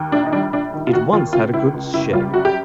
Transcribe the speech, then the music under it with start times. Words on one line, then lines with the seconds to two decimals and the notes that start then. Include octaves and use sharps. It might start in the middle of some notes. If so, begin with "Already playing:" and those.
It once had a goods shed.
Already playing: D#2
0.12 A#1 D4
0.26 D#4
0.33 G3 D4
0.53 A#1 D4
0.74 D#3
0.87 F4
0.93 D#2 F#4
1.13 D#2 F4
1.33 C#2 F4
1.53 C#2 E4
1.74 C#2
1.94 F#1 E4
2.13 G3 F4
2.34 F#2 F#4
2.45 G4